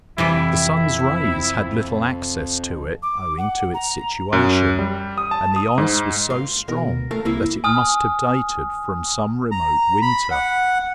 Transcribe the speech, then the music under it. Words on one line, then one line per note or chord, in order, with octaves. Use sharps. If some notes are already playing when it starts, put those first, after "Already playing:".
The sun's rays had little access to it, owing to its situation, and the ice was so strong that it must have dated from some remote winter.
F2 C3 E3 G3 E4
D6
F#5
A#5
F#2
G3
D#6
A5
D#6
G#2
F5 C6
B2 A#4
A3 A#4 F5
C2 A#3 E4 F5
G#5 D#6 F6
A#5
B5
F#5